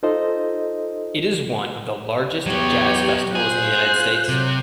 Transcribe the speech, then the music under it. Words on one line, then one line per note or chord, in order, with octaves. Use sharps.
It is one of the largest jazz festivals in the United States.
D#4 F4 A4 C5 D#5
E2 F#3 B3 G4 C#5
F4 G#4 C5 F#6
C3 F#3